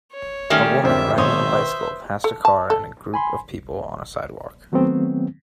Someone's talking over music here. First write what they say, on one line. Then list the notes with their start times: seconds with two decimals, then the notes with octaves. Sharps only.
A woman riding a bicycle past a car and a group of people on a sidewalk.
0.13 C#5
0.50 D#3 G3 A3 C#4 E5
0.83 G#1 F2 D3 C5 E5
1.18 B1 D#3 C5 C#5 E5 D#6
1.59 B4
2.24 A4
2.45 A5
2.70 A4
3.14 G#5 B5 C6
3.51 C2
4.72 D#3 F#3 A3 B3 C4